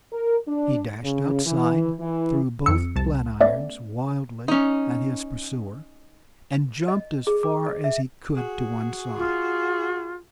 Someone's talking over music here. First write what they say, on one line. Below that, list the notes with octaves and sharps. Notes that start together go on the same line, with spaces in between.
He dashed outside, threw both flat-irons wildly at his pursuer, and jumped as far as he could to one side.
A#4
D4
C#3
E3
E3
F2 E6 C#7
C2 A5
A3 B3 C#4 D5 E5
C#4 D#4
D#5
G#4
D6
D#5
E5
F#4 G#4
F4